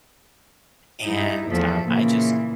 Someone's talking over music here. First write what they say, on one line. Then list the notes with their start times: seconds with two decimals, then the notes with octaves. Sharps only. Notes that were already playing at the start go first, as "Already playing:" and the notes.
and, um, I just
1.04 G2 D#4 E4
1.50 E2 F3 A3 A4 E5
1.85 A#2 C#3 E3